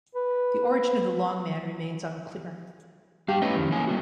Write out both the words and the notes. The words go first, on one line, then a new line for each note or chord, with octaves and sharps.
The origin of the Long Man remains unclear.
B4
G3 G4 F5
A3 C#4 E4 B4 D#5
F2 D#3
E3 A#3 G#5
G3 B3 F#4